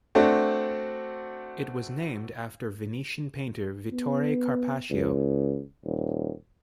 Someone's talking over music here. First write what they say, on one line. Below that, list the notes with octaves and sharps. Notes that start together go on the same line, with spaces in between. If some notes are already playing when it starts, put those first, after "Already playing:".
It was named after Venetian painter Vittore Carpaccio.
A3 C4 D4 F#4
B3
C#2
D#1